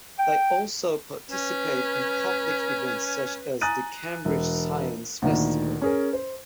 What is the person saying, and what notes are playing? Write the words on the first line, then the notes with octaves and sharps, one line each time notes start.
They also participate in public events such as the Cambridge Science Festival.
G5
C#4 B4
G#5 A#5 D#6 F#6 A6 D#7
E1
D2 A#2 D#3
C#4 G#4 A#4
C5